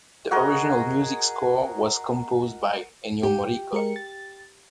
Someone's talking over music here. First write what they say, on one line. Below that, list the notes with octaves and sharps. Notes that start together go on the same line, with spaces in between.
The original music score was composed by Ennio Morricone.
F#4 G#4 A#4 D#5
G4
G#3 A#4 C#7
A6